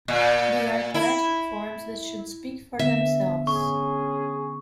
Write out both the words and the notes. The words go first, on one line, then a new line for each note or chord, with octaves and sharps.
They are poetic forms that should speak for themselves.
A#2
E4
D3 B3 E5
C#4 G#4 C#6